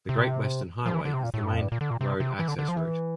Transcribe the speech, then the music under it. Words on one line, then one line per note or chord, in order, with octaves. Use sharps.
The Great Western Highway is the main road access route.
C3
F3
E3
D3
C3
A#2
A2
G2
F2
G2
A#2
D3
A#2
C3
C3
E3
D3
D3
F3
E3